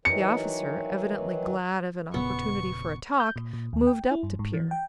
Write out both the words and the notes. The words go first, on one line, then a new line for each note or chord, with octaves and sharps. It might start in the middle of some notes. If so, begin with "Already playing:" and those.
The officer, evidently glad of an opportunity for a talk, moved up to Pierre.
D#3 E3 F#3 C#7
E1 A#2 C#3 B3 C#6
G6
A#2
A#2
D#2
G5
E4
G2
G#2
E3
G5